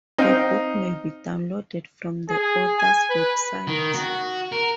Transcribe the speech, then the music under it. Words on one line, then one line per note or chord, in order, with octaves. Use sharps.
The book may be downloaded from the author's website.
C4 D#4 F5 G5
G#4
G#5
B4
D#3
F#4
A#4